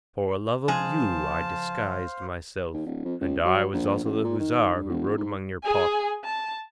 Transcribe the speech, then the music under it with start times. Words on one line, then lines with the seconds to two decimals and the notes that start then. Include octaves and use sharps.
For love of you I disguised myself; and I was also the Hussar who rode among your pots.
0.68 C#3 F3 G#3 D4 G#4 C5 F5 A5
2.73 D#2
2.86 D1
3.04 F2
3.20 C#2
3.45 F#3
3.73 A#1
4.04 A1
4.24 A#2
4.40 D#3
4.74 G2
4.89 E1
5.17 G#2
5.63 G#4 G#5
6.24 A5